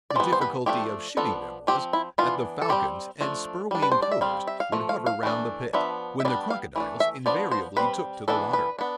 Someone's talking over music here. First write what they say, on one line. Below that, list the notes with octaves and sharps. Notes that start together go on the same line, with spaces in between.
The difficulty of shooting them was, that the falcons and spurwing-plovers would hover round the pit, when the crocodiles invariably took to the water.
D5
E3 G3 B3 C5
C5
B4
F3 A3 D4 G4
F3 B3 D4 A4
F3 C4 G4
E4
E3 B3 D4 F4
A4
G3 C4 G4
F3 A3 D4
G3 D4
B4
C5
D5
E5
G3 C4 F5
E5
F5
F3 A3
F5
F5
E3 A3 D4
F3 B3 D4 E5
E5
G3 B3 D4 D5
F5
E3 A3 D4
E5
F3 B3 D4 D5
C5
G3 C4 B4
E3 B3 D4 A4
B4
B3 D4